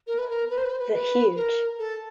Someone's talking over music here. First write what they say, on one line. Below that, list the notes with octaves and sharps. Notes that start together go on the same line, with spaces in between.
The huge.
A#4
B4
A#4
B4
C5
B4
C5
B4
B4
A#4
A4